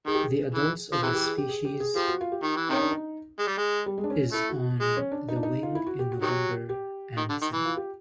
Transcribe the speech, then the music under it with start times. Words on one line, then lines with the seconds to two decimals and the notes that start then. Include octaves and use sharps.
The adults of this species is on the wing in November and December.
0.07 D#3 G#4
0.15 G4
0.21 G#4
0.55 E3
0.93 F3
1.02 C3 E3 G#4
1.14 G4
1.25 G#4
1.38 G4
1.49 G#4
1.65 G4
1.80 G#4
1.96 F3 G4
2.08 F#4
2.21 F4
2.32 G4
2.43 D#3
2.57 E3
2.69 C3 D#3 C#4
2.82 D4
2.92 D#4
3.39 G#3
3.47 G3
3.58 G#3
3.86 G3
3.98 G#3
4.04 D4
4.10 C#4
4.33 A3 E4
4.49 F#4
4.81 G#3
4.97 C#4
5.12 D4
5.29 D#4
5.36 D4
5.43 D#4
5.63 F4
5.75 E4
5.86 F#4
5.99 G4
6.12 F#4
6.22 D#3 F#3 G4
6.69 G4
7.17 D#3
7.29 D3
7.42 D#3
7.53 E3
7.65 F4
7.77 G4